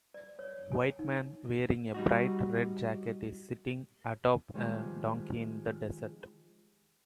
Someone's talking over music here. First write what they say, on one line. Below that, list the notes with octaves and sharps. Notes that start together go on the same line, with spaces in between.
White man wearing a bright red jacket is sitting atop a donkey in the desert.
D5
C#5
G#5
D#4
G3 D#4 F#4
D#3 F3 G3 G#3 B3